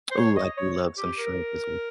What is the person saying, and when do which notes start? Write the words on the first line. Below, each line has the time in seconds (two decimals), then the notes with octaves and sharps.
Ooh, I do love some shrimp with some
0.11 C5
0.17 C#5
0.37 D#5
0.57 C#5
0.98 G4
1.18 A#4